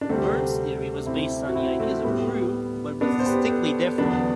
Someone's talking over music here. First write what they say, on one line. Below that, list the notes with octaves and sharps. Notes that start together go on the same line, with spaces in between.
Berne's theory was based on the ideas of Freud but was distinctly different.
D4
D2 C3 G3 A3 C4
C4 E4
F#4
C4 E4
A3 C4
A2 G3 B3
B3 D4
C5
G4 B4
A4 C5
E2 D3 F#3 B3 D4